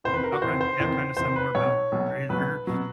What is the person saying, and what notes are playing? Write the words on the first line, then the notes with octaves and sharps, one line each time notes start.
Okay, yeah, kinda similar boat. You're either
E2 C3 D#3 C5
B4
A#4
F#4
E2 C3 D#3 C5
C5
E2 C3 D#3
E2 C3 D#3 C5
B4
B1 B2 F#3 C#5
B1 B2 F#3
B1 B2 F#3 B4
B2 F#3